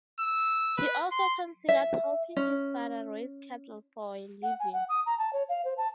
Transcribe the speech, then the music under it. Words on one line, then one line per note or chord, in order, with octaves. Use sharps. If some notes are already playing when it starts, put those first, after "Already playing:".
He also considered helping his father raise cattle for a living.
E6
B4
C6
E5
C#4
F#5
G#5
F#5
D#6
A#5
A5
C#5
F5
C5
A5